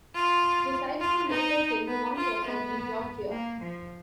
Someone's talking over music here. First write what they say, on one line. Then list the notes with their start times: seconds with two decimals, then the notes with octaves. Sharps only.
The cyclone later killed one person in Georgia.
0.14 F4
1.00 F4
1.29 D#4
1.87 B3
2.16 F4
2.45 B3
3.31 A#3
3.60 F3